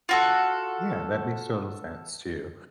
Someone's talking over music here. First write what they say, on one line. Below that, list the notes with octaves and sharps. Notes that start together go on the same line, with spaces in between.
Yeah, that makes total sense too.
F4 F#4 A4